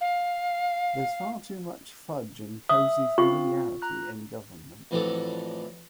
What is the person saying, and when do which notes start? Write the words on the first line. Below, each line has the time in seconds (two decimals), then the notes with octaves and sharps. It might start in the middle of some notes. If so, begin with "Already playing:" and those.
There's far too much fudge and cosy familiarity in government.
0.01 F5
2.69 E5 D#6
3.18 C4 F4 F5 C#6
3.82 A#5 F#6
4.91 F2 A2 E3 F#3 D4 A4